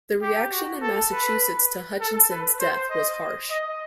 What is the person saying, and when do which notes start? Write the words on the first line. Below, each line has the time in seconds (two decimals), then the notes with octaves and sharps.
The reaction in Massachusetts to Hutchinson's death was harsh.
0.22 G4
0.52 F#4
0.82 A4
1.12 B4
2.00 A4
2.31 B4
2.60 C5
2.90 D#5
3.50 D#5